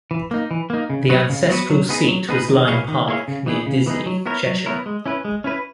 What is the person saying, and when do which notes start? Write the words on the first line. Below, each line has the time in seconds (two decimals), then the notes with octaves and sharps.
The ancestral seat was Lyme Park, near Disley, Cheshire.
0.11 E3
0.31 A#3 D#4
0.51 E3
0.70 A#3 D#4
0.90 C#3
1.09 F#3 B3 F#4 B4
1.29 C#3
1.49 F#3 B3 F#4 B4
1.70 F#3
1.89 B3 D#4 G#4 B4
2.08 F#3
2.29 B3 D#4 G#4 B4
2.49 D#3
2.67 A#3 E4 G#4 C#5
2.88 D#3
3.08 A#3 E4 G#4 C#5
3.28 C#3
3.46 E3 B3 D#4 G#4
3.66 C#3
3.86 E3 B3 D#4 G#4
4.06 F#3
4.26 B3 E4 A#4 C#5
4.46 F#3
4.66 B3 E4 A#4 C#5
4.86 G#3
5.06 C#4 E4 B4
5.25 G#3
5.44 C#4 E4 B4